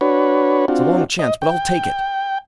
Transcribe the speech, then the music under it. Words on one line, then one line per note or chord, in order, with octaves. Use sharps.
"It's a long chance, but I'll take it."
D4 F#4 B4 C#5
C4 D4 F4 F#4
D#5
G5